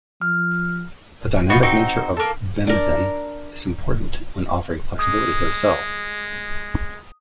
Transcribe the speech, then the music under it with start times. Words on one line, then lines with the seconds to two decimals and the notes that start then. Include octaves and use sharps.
The dynamic nature of vimentin is important when offering flexibility to the cell.
0.22 F3 F6
1.49 D#4 F4 F#4 B4
1.62 C4 D#4 F#4 C5
2.17 A#3 A4
2.67 D4 A#4
4.99 G#3 D#6